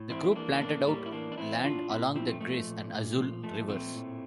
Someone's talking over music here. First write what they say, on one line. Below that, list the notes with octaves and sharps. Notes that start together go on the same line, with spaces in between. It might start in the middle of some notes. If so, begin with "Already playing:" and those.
The group planted out land along the Gris and Azul rivers.
Already playing: A2
E3 C4 E4
C4
E3 A#3 D4
A2 A#3 D4
A2 G3 A#3
E4
E3 A#3 D4
D4
E3 C4 E4
A2 D4 F4
A#2 C4 E4
F3 C4 E4
A3 C4
F3 A3
A#2
A#2
F3
F3 A3
A#2 A3 C4
A2